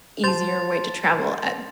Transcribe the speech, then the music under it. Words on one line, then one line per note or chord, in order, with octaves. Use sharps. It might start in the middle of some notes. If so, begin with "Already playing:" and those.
easier way to travel at
C5 A5 C6 A6